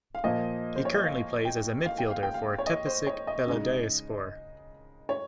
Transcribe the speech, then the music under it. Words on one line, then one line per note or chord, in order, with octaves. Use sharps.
He currently plays as a midfielder for Tepecik Belediyespor.
F5
A#2 F3 A#3 D#5
C5
C#5
D#5
F5
G5
F5
G5
F5
G5
F5
C#5
D#5
C5
C#5
D#5
C#3 G#3 D#4
C#5